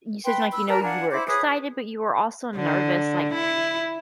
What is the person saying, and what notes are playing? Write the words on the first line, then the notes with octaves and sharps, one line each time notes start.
you said, like, you know, you were excited, but you were also nervous. Like
B4 G5 C6
B5 E6 F#6
A#4 B4 A5 A#5
D4 F5 F#5 G#5
E4 C5 D6
G#4 B4 C#5 D#6
D3
E4